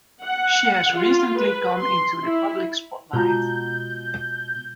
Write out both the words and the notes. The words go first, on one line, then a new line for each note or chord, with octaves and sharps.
She has recently come into the public spotlight.
F#5
F4
B4
C6
E4
B2 G#3 F4 F#4 A#5 G6